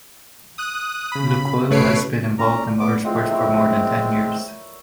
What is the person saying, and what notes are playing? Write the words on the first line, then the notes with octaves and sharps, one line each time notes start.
Lukoil has been involved in motorsports for more than ten years.
D#6 F#6
C#3 B5
G#1 A3 B4 C#5 C7 D7
C#4 D5 A#5
B3 D6
A2 G#3 C4 F4 F#5
E4 A#4 C#5